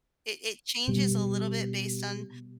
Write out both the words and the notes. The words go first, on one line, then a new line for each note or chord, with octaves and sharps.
It it changes a little bit based on
B2 G3